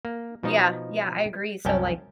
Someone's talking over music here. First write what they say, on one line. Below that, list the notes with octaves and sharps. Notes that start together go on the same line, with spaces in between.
Yeah, yeah, I agree. So, like,
A#3
B2 F3 D#4 D#5
C2 F#2 C#4 G5 A5